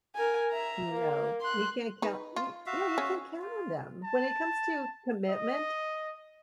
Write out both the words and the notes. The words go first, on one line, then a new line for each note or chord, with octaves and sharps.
No. You can't count Y yeah, you can't count on them. When it comes to commitment,
A#4 G#5
E5 A#5
A#3
C6 F#6
D#4 B4
F4
F#4 E5 F5
C#4
F4
A5
D#5